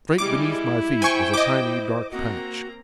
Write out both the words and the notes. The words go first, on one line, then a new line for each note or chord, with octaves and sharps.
Straight beneath my feet was a tiny dark patch.
G3 G#3 E4 D6
C5 G5 G#5 C#6
D#5 D6
A#3 C4 F#4 A#5